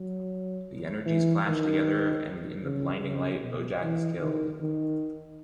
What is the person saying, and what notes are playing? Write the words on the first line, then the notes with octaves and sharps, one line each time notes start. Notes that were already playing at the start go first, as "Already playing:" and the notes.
The energies clash together and in the blinding light Bojack is killed.
Already playing: F#3
E3
D#3
C#3
C#3
B2
E3
D#3
D#3